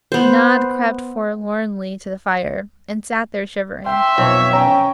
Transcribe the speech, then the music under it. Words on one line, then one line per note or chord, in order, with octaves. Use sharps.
Nod crept forlornly to the fire, and sat there shivering.
B3 C5
E5 G5 C6
B1 F2 C4 C#5
C#4 C#5 G5 A#5